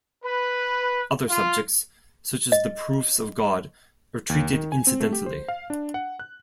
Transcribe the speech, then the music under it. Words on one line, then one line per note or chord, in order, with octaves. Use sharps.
Other subjects, such as the proofs of God, are treated incidentally.
B4
F4
D#5
D#2
D#3
G#5
C4
A3
G4
C5
F5
D4
F#5
F#6